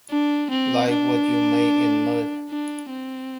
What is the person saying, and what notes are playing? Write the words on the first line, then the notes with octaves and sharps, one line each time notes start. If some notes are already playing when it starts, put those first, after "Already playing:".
Like what you make in mud.
D4
C4
D4
D4
C4